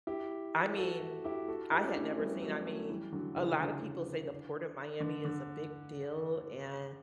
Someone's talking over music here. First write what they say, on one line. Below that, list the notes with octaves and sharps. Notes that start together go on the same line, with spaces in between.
I mean, I had never seen, I mean, a lot of people say the Port of Miami is a big deal, and
E4 G4
F#4 A4
E4 G4
F#4 A4
E4 G4
D4
A3 C#4
G3 B3
F#3 A3
F#3 A3
E3 G3
D3 F#3
C#3 E3
D3
D3
D3